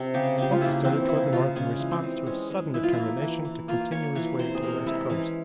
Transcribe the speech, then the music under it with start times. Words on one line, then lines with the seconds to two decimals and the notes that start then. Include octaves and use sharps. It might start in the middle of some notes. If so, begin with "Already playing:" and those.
Once he started toward the north in response to a sudden determination to continue his way to the west coast.
Already playing: C3
0.14 C#3 G4
0.38 C#3 G4
0.52 F4
0.61 A#3 E4
0.85 E3 C4
1.09 C#3 E4
1.32 C#3 F4
1.56 G#3 C#4
1.79 E3
1.91 C4
2.03 E3
2.26 G#3 C#4
2.50 G#3
2.74 E3 E4
2.83 F4
2.93 A#3 E4
3.21 E3
3.45 E3
3.68 A#3 F4
3.91 A#3 C#5
4.15 E3 C#5
4.39 C3 C5
4.55 G#4
4.63 C3 A#4
4.86 G#3 E4
5.10 E3 C#4